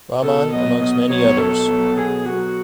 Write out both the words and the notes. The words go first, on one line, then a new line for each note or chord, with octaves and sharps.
Rahman amongst many others.
B2 A4
F#3 B3 D#5
B2 D#5
F#3 B3 C#5
B2 A4
F#3 B3
B2 G#4
F#3 B3 F#4